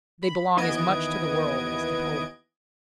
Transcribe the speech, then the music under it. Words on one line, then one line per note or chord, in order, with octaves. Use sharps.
They belong as much to the world as to Poland.
B5
D#2 E3 B3 D#5 G#6 D7